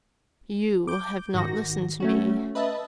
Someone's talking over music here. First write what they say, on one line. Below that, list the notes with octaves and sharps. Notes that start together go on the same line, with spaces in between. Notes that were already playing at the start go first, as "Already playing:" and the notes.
You have not listened to me.
D6 G6
G#2 D#3 F#4 A#6
A3 C#4 F#4
B4 D#5 E5 A5